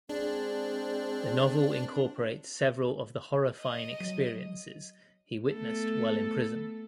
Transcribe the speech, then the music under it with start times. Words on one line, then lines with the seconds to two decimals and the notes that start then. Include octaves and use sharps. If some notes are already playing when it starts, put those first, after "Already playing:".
The novel incorporates several of the horrifying experiences he witnessed while in prison.
0.09 G#3 C4 D4
3.61 D#5
4.00 F#3
5.51 A3 B3 A4